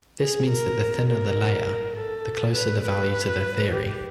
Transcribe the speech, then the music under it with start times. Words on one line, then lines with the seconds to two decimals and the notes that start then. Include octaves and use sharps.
This means that the thinner the layer, the closer the value to the theory.
0.21 G#4
0.50 A#4
1.09 A#4
1.97 A4
2.55 B4
2.85 B4
3.72 G4